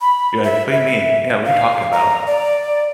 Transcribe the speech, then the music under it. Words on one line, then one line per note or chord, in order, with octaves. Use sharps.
You're like, "What do you mean? Yeah, what are you talking about?"
B5
E5
E5
F5
A#5
D5